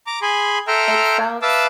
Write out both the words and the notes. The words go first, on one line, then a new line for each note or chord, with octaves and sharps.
it felt
A#5 D6
G#4 G#5 B5 C6
A4 E5 G5 A#5 C6 F6
B4 E5 F5 A5 D6 E6